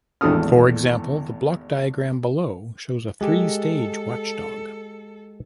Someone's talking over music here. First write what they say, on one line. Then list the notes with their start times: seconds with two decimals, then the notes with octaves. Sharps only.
For example, the block diagram below shows a three-stage watchdog.
0.21 G#1 E2 A2 A4 D#6 F6
3.21 G#3 G4 A4